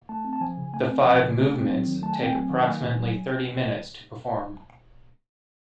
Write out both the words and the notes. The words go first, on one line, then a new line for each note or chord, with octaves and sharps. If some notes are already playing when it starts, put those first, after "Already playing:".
The five movements take approximately thirty minutes to perform.
A3 A5
C4
A5
F3 G#5
C#3
A3 G#5
C4
F3
C#3
A3
C4
F#3
D#3
A3 A5
G#5
C4 G5
F#3 G#5
D#3
A#3 G#5
A#2
F#3